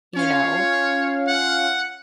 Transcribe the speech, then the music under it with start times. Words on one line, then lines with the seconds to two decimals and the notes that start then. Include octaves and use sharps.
You know?
0.16 C#4 F4 C#5 F5
1.28 F#5